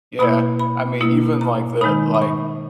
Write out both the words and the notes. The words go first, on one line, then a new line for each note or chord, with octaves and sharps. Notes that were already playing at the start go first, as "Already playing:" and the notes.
Yeah, I mean, even like the, like
B2 A#3 E4 B5
B5
B2 A#3 E4
A#5
D#3 G#3 D#4 B5
B5
C#6